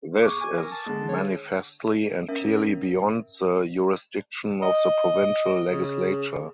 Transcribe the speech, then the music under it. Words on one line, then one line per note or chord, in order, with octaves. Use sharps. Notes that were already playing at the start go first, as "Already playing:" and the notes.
This is manifestly and clearly beyond the jurisdiction of the provincial legislature.
G#4 C#6 D6
G#5
A#4
A5
D3 G#3
C#5
C#4 A#4 E5
D#5
C#3